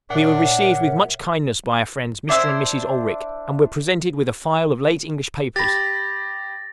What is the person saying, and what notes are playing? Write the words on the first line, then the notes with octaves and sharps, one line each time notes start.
We were received with much kindness by our friends, Mr. and Mrs. Olrik, and were presented with a file of late English papers.
A#2 D4 A#4 C#5 E5 F#5
D4 E4 C5 E6
G4 B5 A6 A#6